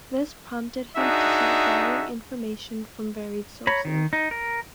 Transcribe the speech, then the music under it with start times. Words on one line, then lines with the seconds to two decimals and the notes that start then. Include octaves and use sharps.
This prompted him to start gathering information from varied sources.
0.97 D4 D#4 F#4 G#4 E5
3.67 C#5 A#5 B5
3.85 D#3
4.13 D#4
4.31 A#4